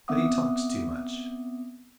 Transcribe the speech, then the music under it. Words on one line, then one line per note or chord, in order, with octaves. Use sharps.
"But he talks too much."
B3 C4 E5 F#5 D6 D#6